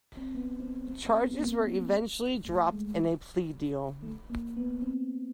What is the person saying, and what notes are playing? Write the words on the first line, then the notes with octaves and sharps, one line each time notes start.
Charges were eventually dropped in a plea deal.
C4
B3
C4
C4
C4
B3
A#3
A3
G#3
A3
A#3
B3
C4